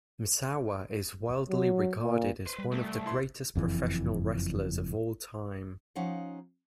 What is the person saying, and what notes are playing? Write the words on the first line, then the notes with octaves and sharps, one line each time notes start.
Misawa is widely regarded as one of the greatest professional wrestlers of all time.
F#3
A#2
B4 C5
G3
C2 A3
E4 C6
F#1 F2 B2 E3
F3 C#4 D#4 F5 F#5